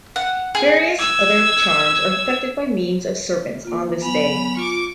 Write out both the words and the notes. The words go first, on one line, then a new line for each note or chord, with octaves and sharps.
Various other charms are effected by means of serpents on this day.
F#5
G#4
E6 G#6
A#3 F4
F#3 B3 G#5 B5 F7
F4 C#6 D6